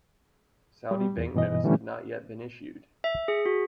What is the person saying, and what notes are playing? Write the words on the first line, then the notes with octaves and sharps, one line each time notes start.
Saudi bank notes had not yet been issued.
G3
E2
G2 B2 E3 D#5
A#2 D3 E3 G3 A3 C#4
E5
G#4
F#4